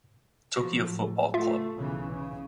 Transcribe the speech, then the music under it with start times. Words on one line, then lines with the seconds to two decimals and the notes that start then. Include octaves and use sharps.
Tokyo football club.
0.56 B2 F3 F#3 F#4
0.88 A2
1.34 A3 F4 E5
1.76 B1 C#3 E3
2.11 C#3